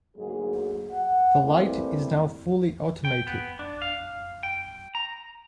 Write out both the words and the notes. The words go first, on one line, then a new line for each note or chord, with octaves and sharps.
The light is now fully automated.
D2 G#2 F#3 A#3 G#4
F#5
E3 G3 A3 A#3 C4 E4
G5
B3
D4
F5
G5
A#5